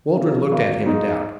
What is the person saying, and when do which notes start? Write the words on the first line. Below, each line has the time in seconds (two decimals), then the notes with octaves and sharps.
Waldron looked at him in doubt.
0.16 C#3 F3
0.51 G#1
0.86 G#2 G#3 D#4